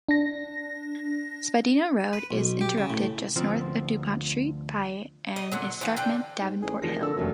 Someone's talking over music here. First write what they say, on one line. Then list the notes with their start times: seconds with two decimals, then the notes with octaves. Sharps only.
Spadina Road is interrupted just north of Dupont Street by an escarpment, Davenport Hill.
0.09 D4 A#6
2.13 B4
2.31 B1
2.61 G4
2.78 C#3
2.90 A2
3.36 D2 F3 C4
5.36 D#5
5.52 A#2 D3 F#3
5.81 E3 F#3 D#4 F4
5.97 D3 D4 G5
6.41 G#2
6.62 A1 G#4
6.82 F1 A#2 F3 A#6
7.01 D3 A4 E6
7.17 F1 F#2 A3 C#4